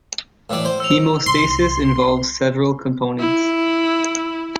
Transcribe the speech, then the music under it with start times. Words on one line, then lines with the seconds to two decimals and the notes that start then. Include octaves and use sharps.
Hemostasis involves several components.
0.50 A2 E3 D5
0.65 C5
0.80 E6 F7
1.26 C2 C6
3.19 E4